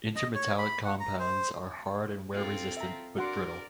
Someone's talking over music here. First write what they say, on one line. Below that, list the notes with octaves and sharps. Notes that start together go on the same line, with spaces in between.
Intermetallic compounds are hard and wear-resistant but brittle.
D#5
C#5
B5
F#5
A#5
C5
C4 F4 A4
E5 A#5
D4 F#4 A#4 D5 F#5 C6